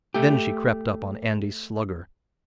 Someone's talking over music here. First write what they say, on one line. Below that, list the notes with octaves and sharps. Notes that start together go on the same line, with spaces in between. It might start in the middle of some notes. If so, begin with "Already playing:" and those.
Then she crept up on Andy's Slugger.
A3 G4